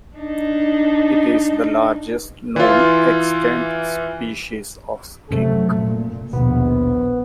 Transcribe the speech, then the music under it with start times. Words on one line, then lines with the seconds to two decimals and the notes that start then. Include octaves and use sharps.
It is the largest known extant species of skink.
0.16 D4 D#4
2.56 E3 F4
5.30 F#2 C3 F3 F#3 A3
5.73 A#2
6.33 A#1 D#2 B2 B3